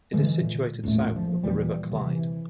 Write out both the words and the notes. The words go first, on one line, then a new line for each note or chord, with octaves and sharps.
It is situated south of the River Clyde.
D3 E3 G#3
A#2
A1 D#2 A#2 A3
F3
D#2 A#2 E3 G3
C3 E3